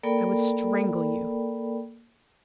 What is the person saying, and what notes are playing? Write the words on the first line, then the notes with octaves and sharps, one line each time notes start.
"I would strangle you."
A#3 A4 A#4 D5 G5 B5